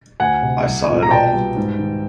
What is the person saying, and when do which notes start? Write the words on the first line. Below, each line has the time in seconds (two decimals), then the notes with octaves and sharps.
I saw it all.
0.20 D2 F#5 G#5
0.42 C3
0.65 C2
0.88 A#2
1.03 A#5
1.11 B2 G5 A5
1.33 G3
1.56 G#2
1.79 D#3